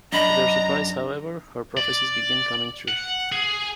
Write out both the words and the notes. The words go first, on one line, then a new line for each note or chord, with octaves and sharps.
To their surprise however, her prophecies begin coming true.
F#2 D4 D#5 A#5 B5
D5
F#5
G#4